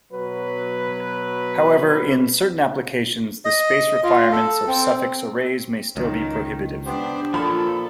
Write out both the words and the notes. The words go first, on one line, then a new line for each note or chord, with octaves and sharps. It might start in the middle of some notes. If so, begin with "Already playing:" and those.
However, in certain applications, the space requirements of suffix arrays may still be prohibitive.
B2 F#3 B4
D#5
F4
A4
C4
C#2 D#3
B3 D4 G4 C5
A#2 F3 A4 B5